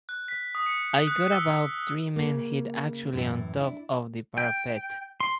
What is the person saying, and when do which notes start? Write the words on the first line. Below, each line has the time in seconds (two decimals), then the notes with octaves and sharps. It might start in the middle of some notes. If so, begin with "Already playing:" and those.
I got about three men hit actually on top of the parapet.
0.09 F#6
0.28 B6
0.55 D#6
0.66 C#7
1.07 F#6
1.32 E6
2.16 C#3 A#3
3.13 F#2 A2 E3
3.60 D4 E4
4.38 G5
5.20 C6